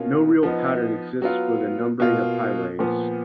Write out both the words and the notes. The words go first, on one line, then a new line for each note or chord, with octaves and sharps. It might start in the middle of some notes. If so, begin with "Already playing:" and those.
No real pattern exists for the numbering of highways.
Already playing: B2 A#3 C#4 F4
F3 B3 D#4
F#3 B3 F4
B2 A#3 F4
A#2 F3 B3